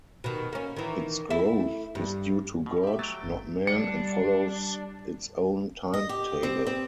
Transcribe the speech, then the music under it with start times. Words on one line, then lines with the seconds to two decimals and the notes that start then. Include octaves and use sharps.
Its growth is due to God, not man, and follows its own timetable.
0.24 B2 D#3
0.53 A#3 C#4
0.76 D#3 E3
1.30 A3 E4
1.95 G2
2.66 B2
2.83 G4 E5
2.99 F#3 A3 G5 A6
3.23 G1
3.67 G3 D4 C#7
5.94 D#5
6.09 G4
6.43 C4
6.67 C4